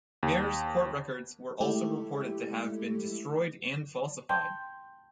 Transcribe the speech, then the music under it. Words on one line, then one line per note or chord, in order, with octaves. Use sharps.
Mayor's court records were also reported to have been destroyed and falsified.
D#2
G#3 A3 E4 G4 A4
G5 A5 C6 G6